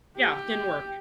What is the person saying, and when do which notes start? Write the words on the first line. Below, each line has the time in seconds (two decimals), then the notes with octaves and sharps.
Yeah, didn't work.
0.17 G4